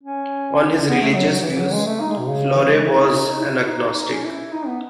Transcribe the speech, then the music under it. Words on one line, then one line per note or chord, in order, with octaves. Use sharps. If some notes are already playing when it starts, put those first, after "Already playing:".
On his religious views, Florey was an agnostic.
C#4
B3
A3
F#3
F#3
F#3
E3
F#3
G#3
A3
D#4
G#3
B2
C#3
E3
G#3
E4
D#4
E4
D#4
E4
D#4
D#4
C#4
E4
D#4
B3